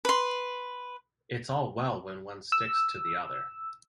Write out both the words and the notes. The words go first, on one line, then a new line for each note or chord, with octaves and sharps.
It's all well when one sticks to the other.
B4 C6
E6